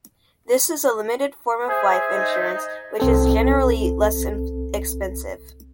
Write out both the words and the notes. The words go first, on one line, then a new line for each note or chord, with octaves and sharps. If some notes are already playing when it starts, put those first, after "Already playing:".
This is a limited form of life insurance which is generally less expensive.
G#4 C5 E5 G#5
D#4
C2 C4 A4